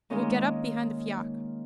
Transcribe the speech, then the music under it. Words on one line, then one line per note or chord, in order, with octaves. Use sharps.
You will get up behind the fiacre.
D#3 G#3 A#3 C#4 D#4